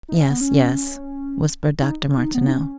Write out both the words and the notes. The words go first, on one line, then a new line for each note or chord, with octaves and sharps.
"Yes, yes," whispered Dr. Martineau.
D#4
C#4
B3
C#4
D#4
D#4
B3
D#4
C#4